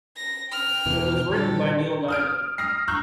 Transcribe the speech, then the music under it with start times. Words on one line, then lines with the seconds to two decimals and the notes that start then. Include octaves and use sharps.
It was written by Neil Diamond.
0.17 A#6
0.50 G5 F6
0.86 E2 B2 E3
1.30 A#2 D3 G3 G4 A4
2.08 D#6 F6 D7
2.58 D#6 F6 A#6 C7
2.88 A#5 C#6 E6 F#6 G6